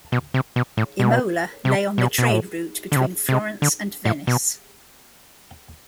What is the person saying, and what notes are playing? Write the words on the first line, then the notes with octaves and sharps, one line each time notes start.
Imola lay on the trade route between Florence and Venice.
B2
C3
B2
A2
B2
C3
B2
B2
A2
D3
C3
C3
D3
A2
B2